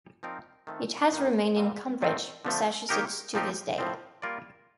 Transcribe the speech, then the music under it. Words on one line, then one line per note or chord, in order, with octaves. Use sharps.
It has remained in Cambridge, Massachusetts to this day.
F3 C4 D#4 A#4 D5
D#3 A3 C4 F4 A4
G2 D#3 G3 A#3 D#4
A#2 G3 C4
C3 D#3 A3 C4
D3 F3 A3
D#3 A#3 D#4 G4 A#4
A#2 F3 C4 D#4 G4
A2 F3 C4
G3 A#3 F4 A#4 D5